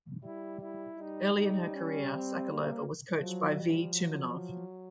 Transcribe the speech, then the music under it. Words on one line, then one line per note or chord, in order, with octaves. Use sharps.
Early in her career, Sokolova was coached by V. Tumanov.
G3 E4
E4
G3 D#4
D#4
C#4
C4
A#3
F3 F#3
F3 G3
F#3